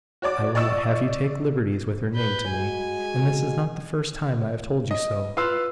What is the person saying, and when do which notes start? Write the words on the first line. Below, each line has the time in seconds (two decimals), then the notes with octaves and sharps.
I will not have you take liberties with her name to me; and this is not the first time I have told you so.
0.22 F#4 C#5 D5 D6
0.55 D5 D#5 C#6 E6 A6
2.15 B4 G6
2.50 G#3 F#4 G#5
4.91 D#5
5.37 F4 B4 F5 C6 E6